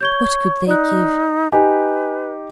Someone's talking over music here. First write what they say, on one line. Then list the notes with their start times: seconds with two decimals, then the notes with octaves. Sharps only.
What could they give?
0.01 C#5 G6 G#6 G7
0.67 D#4 D5 F#6
1.52 D#4 G4 B4 G#5